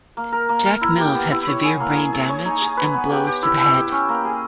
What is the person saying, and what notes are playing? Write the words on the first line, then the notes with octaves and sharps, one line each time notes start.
Jack Mills had severe brain damage and blows to the head.
A#3
A#4
A#3
A#4
E4
G4
B3
E4
C#5
G#4
A#3
G#4
G#4
C#5
D#4
G#4
B4
B3
G4
G4
E4
E4
G4
C#4
A#3
G#4